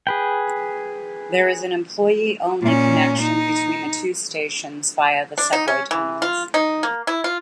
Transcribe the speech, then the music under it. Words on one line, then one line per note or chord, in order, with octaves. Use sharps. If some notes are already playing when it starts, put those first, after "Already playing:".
There is an employee-only connection between the two stations via the subway tunnels.
G#4 B4 G5
A#2 C#4
D#4
D4
D#4
C#4
E3
F4
D#4
A#3
E4
F4